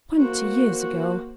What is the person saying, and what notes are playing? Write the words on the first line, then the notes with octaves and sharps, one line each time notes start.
Twenty years ago!
A#3 F#4 C5